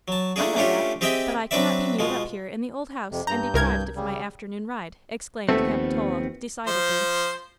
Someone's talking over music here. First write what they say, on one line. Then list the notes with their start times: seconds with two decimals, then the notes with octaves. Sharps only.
"I know that; but I cannot be mewed up here in the old house and deprived of my afternoon ride," exclaimed Capitola decidedly.
0.08 F#3 A5
0.36 A3 A#3 D4 G#4
0.56 A3 C#4 D4 F4 G4
1.01 C4 G4 G#4 D#5 E5 G5
1.51 F#3 C4 D4 B4 D5 E5
1.99 B2 G#3 F4
3.11 F2 C3
3.27 G2 A#5 G6
3.54 C2 A#4 G#6
3.96 C#3 G3
5.49 D#2 F3 A3 B3 C4
6.67 F3 C5